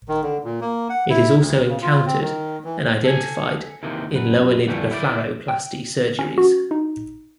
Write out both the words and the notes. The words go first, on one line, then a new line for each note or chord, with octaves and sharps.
It is also encountered and identified in lower lid blepharoplasty surgeries.
D#3
D3
A#2
A#3
F#5
E4
D2
C#3
F4
C4
D#3
E3
A4 G#5
D#2 C3 D#3 E3
F#2 B4
F2 D3 E3 G3 A3
E4 G4 B4 D5
G5
C#4
F#4
D#4